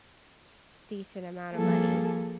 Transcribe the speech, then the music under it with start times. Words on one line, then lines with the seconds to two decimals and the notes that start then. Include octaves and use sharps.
decent amount of money
1.55 F3 G3 A#3 G#4 A4